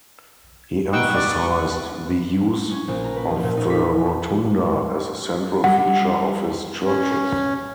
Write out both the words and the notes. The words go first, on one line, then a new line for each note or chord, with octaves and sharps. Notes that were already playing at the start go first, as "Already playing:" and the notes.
He emphasized the use of the rotunda as a central feature of his churches.
D#4 B4 F#5 G5 C#6 E6
D5
C#4
A#1
A#5
B4
F3
A#2
D#4
B6
G3 F#5
C#4